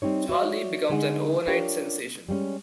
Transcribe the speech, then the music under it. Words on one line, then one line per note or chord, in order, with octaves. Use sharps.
Charlie becomes an overnight sensation.
G3 C4 D#4 C#5
F#4 C#5 D5 E5
D3 G#3 D#4 G#4 F#5
D4 F4 G4 A#4 C#5
G3 G#3 A#3 C#4